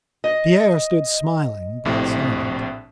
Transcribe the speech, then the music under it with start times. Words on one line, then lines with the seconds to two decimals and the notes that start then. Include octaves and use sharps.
Pierre stood smiling but silent.
0.24 D#5
1.85 A#1 A2 C3